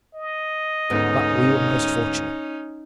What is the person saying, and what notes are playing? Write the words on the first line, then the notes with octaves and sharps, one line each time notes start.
But we were most fortunate.
D#5
D2 G#2 B3 C#4 D#4